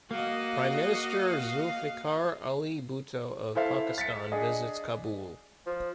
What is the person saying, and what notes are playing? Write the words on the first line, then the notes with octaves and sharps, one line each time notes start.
Prime Minister Zulfikar Ali Bhutto of Pakistan visits Kabul.
A#3 F#4 D#5 F5
E4 A4 C5 E5 F5
A6 B6 C#7
D4 G#4 D#5
F3